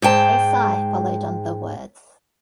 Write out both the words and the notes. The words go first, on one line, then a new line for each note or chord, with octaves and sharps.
A sigh followed on the words.
G#2 G#3 G5 A5